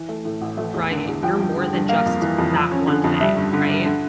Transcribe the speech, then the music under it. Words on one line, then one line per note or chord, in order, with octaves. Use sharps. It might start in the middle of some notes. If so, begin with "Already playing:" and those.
Right, you're more than just that one thing, right?
Already playing: E3
A3
A2
A1
A3
E2
D3
E2
F3 G5
G2
D3
G2
A#3 F5
F2
E3
F2
F3
C#4
D3
F2
G3 E5
G2
D3
G2
D3